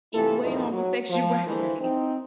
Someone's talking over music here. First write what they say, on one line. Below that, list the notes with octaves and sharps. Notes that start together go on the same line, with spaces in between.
equate homosexuality?
C3 E3 E4 F4 A4
E2 G2 A#2 F3 D#4 E4
F#3
F3
D3 E3 A#3 E4 C5
C4 D#4